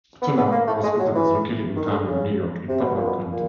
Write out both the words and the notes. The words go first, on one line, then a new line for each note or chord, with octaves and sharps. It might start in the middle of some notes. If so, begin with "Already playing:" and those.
Putnam Hospital is located in Carmel, New York in Putnam County.
B3
B3
A#3
A3
G#3
F#3
E3
D#3
D#3
D3
C#3
C3
B2
A#2
B2
A#2